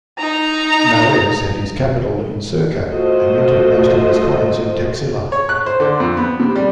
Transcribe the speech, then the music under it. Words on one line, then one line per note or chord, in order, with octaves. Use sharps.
Maues had his capital in Sirkap and minted most of his coins in Taxila.
D#4 A#5
A3 F4 F#4 A4 C5 D#5
C#5
F#6
C5
D3
F2
B3
C3
G3